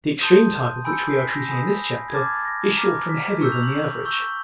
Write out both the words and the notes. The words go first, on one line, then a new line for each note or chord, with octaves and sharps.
The extreme type, of which we are treating in this chapter, is shorter and heavier than the average.
A5 C6 D#6 G6 D#7
G#5 B5 E6 G6 D7
C#7
D7
C7
B6
A#6
A#6
G#5 B5 D#6
G#6
A5 D6 F6 A6
G#6
A6
A#6
A#5 D6 F6
B6
C#6 E6 G6 C#7
F7
F#7
F#7
C#6 E6 G6 G7